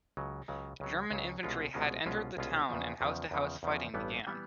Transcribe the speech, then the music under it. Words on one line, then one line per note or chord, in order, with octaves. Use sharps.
German infantry had entered the town and house-to-house fighting began.
C#2 C#3 F#3
C#2 C#3 F#3
C#2 C#3 F#3
C#2 C#3 F#3
C2 B2 G#3 C#4 F4
C2 B2 G#3 C#4 F4
C2 B2 G#3 C#4 F4
C2 B2 G#3 C#4 F4
E2 C#3 F3
E2 C#3 F3
E2 C#3 F3
E2 C#3 F3
A1 G2 E3 G3 B3
E3 G3 B3